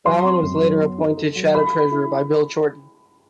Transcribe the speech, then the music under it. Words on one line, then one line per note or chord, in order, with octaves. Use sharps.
Bowen was later appointed Shadow Treasurer by Bill Shorten.
F#3 C6
C4
F#2
F#3
B3
D#4
A4
F#3
A4 B5
A4
E4